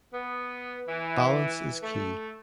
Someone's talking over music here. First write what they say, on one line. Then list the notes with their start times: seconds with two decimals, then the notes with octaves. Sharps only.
Balance is key.
0.13 B3
0.89 E3
1.83 A3